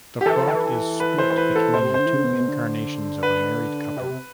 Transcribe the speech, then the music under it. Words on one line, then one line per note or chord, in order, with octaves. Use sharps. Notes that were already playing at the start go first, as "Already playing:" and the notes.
The plot is split between the two incarnations of a married couple.
G4
E3 A4
F3
E3
B4
C5
C5
B4
A4
C3 C5
D3 C5
E3
D3
B2
D3
B4
C3